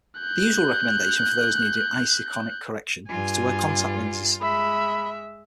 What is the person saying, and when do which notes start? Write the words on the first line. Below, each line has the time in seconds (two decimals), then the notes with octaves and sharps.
The usual recommendation for those needing iseikonic correction is to wear contact lenses.
0.20 F#6 G6
3.09 G2 F4 G#5
4.41 G#3 E5 B5